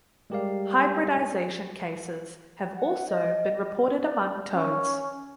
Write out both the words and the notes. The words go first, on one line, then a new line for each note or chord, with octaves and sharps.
Hybridization cases have also been reported among toads.
G3 G#3 G4 A#4 D5 F5
F#5
D#5
D5
C#4